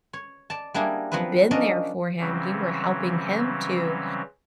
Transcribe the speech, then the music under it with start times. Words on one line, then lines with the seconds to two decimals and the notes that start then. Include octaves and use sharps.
been there for him, you were helping him to,
0.13 C#5
0.50 D5 A5
0.74 G3 A#3 D4 E4 G#4
1.12 F3 F#3 B3 C4 B4
1.51 A#3 C#4 D4 D5 D#5
2.20 C#3 E3 F#3 G3 C4 C#4